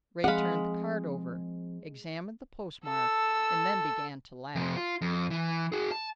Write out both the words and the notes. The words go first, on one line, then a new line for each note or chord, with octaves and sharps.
Ray turned the card over, examined the postmark, and then began to laugh.
F3 G#3 C4 F5 F#5 B5
A4 E6
F2 C3
F4
F2
E3
F#4 G#4
A5